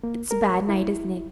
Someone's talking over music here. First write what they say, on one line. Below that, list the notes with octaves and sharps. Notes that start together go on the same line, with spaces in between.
It's a bad night, isn't it?
A#3
A#4
E4